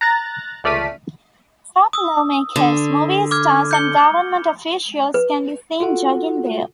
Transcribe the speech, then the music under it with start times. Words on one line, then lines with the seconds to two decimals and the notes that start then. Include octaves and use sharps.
Top lawmakers, movie stars, and government officials can be seen jogging there.
0.01 A#5 F#6 A6 A#6
0.64 C#2 A3 D5 F6 B6 D#7
1.93 D#6 E6
2.56 D3
3.31 D6 F6 G#6
3.71 G6 C#7 G7
5.14 B4
5.80 F4 F#4 A4 F#5